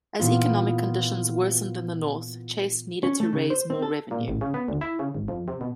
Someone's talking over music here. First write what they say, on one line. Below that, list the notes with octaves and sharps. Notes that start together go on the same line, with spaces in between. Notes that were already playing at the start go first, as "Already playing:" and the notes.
As economic conditions worsened in the North, Chase needed to raise more revenue.
A#2 E3 B3 F4
C#4
A3
C#3
C5
C4
A4
A#2
A1
C#3
B3
D2
E4
C#3
G#1
F2
C3
B2